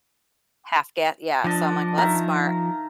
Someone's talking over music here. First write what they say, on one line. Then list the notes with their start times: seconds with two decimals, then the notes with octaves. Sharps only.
half ga Yeah, so I'm like, "Well, that's smart.
1.44 F3 D4 D#5 A5
1.98 D#3 E5 F5 A#5